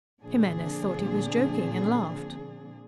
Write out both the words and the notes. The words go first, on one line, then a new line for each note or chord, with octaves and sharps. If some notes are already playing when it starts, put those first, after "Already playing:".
Jimenez thought he was joking, and laughed.
A#2 D3 F3 C4 D4 G#4